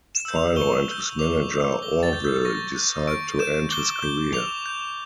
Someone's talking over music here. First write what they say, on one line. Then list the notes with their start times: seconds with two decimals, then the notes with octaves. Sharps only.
Philo and his manager Orville decide to end his career.
0.15 E7
0.25 E6 G6
0.35 F7
0.56 C#6 G7
0.88 E6 G6
1.19 D6 F7
1.51 G6
1.82 D6 G7
2.03 A6
2.13 G6
2.24 G6
2.45 C#6 A#6
2.76 G6
3.07 C#6 D7
3.39 G6 E7
3.71 D6 G7
4.02 G6
4.33 D6 F7
4.66 G6